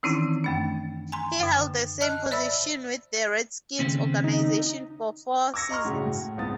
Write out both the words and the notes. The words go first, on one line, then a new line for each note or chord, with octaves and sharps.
He held the same position with the Redskins organization for four seasons.
D#3 E3 C4 C#4 D#4 E4
F#2 A3 D4
G#5 A#5 C6
F#2 D3
D#5 A5 F6 F#6
C5 D5 E5 B5 E6
D#2 C#3 C4
D#4
D6 E6 G#6 A#6 C#7
D#5 A#5 C6 C#6 F6
A2 C#3 F#4
A2
C#2 G#2 B3 C4 D#6 A6